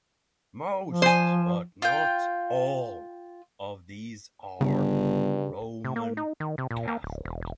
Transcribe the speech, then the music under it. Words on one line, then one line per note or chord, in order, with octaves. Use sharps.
Most, but not all, of these are Roman Catholic.
F3
C5 G#5
F4 G5
G1 G2 C#3
C3
A#3
D#4
D#3
C3
A#2
A#3
D1
E1
E1